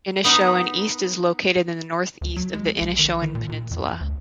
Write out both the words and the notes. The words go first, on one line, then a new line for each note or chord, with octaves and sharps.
Inishowen East is located in the northeast of the Inishowen Peninsula.
B3 D#4 A#4
D2
F#3
G#3
B1
D#3
D#3
A#2
A#2
F2
D2